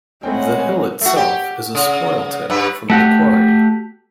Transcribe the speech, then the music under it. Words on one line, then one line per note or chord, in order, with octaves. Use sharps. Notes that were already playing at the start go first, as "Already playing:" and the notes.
The hill itself is a spoil tip from the quarry.
G#3 A3 C4 C#4 E4 F#5 G5
A3 F#4
G4
C#3
G2 B4
A3 F#4 G4